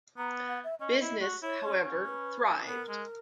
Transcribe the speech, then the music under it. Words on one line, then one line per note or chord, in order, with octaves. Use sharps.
Business, however, thrived.
B3 A#5
F#5
E5
C#4 D#5
E4
F#4
E4 C#5
C#4
C#4
B4
B3 A#4
G#3